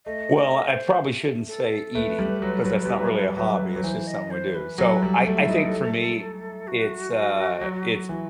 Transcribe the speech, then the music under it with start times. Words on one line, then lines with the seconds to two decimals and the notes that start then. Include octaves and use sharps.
Well, I probably shouldn't say eating, 'cause that's not really a hobby, it's just something we do, so, I I think for me, it's, uh it's
0.06 A3 D#5
0.37 D#5
0.68 C5
1.48 A4
1.95 A3 B4
2.19 G3
2.42 F#3
2.65 F#3
2.85 G3
2.89 F#3
3.37 F#3
3.76 F#3
3.84 E3 C5
4.07 D#5
4.31 C5
4.55 B4
4.78 F#3 A4
4.92 B4
5.03 G3 A4
5.26 A3
5.37 E4
5.49 D#4
5.67 G3
5.73 A3
6.68 F#4
7.61 F#3
8.09 E3